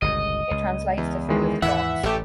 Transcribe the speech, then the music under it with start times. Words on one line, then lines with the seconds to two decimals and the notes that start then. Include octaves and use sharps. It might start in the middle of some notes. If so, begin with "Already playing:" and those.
It translates to food of the gods.
0.02 G1 C#2 A#2 D#5
0.51 C#2
0.98 E2
1.29 D#3 E3 G#3
1.62 D#2 G#2 E3 E5 F#5
2.03 A1 A3 G4